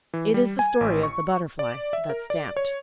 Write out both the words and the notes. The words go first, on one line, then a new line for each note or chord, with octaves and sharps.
It is the story of the Butterfly that Stamped.
E3
G3
G#5
A1
C#6
D5
E5
A#4
D5
C#5